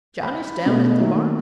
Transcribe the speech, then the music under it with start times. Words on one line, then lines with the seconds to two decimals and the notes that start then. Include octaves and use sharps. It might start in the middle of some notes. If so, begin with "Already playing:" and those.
Johnny's down at the barn.
0.23 B5
0.66 B2 A3 B3
1.00 D#3 F#3 A3 A#3